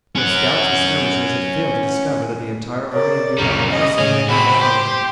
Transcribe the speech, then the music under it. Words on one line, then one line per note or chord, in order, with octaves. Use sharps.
Their scouts and skirmishers had failed to discover that the entire army of Buell also was now in front of them.
C#4 F#5
A#4 C#5 D5
C#2 F#2 A#2 C#3 G3 A#4
D#5
A2 C#3 C#4 G#4
C4 F#4 B5
G4 C5